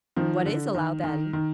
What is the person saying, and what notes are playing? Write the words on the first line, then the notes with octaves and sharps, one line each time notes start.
"What is allowed, then?"
D#3 F3
D3
D#3
D#3
D#3